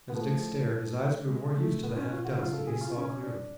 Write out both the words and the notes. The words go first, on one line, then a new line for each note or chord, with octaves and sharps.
As Dick stared his eyes grew more used to the half dusk and he saw clearly.
B3
A2 F3 A3
G#3
A3
B3
C#4
F4
F#4
C#3 F#3 F4
A4
G#4
F4
C#4
D4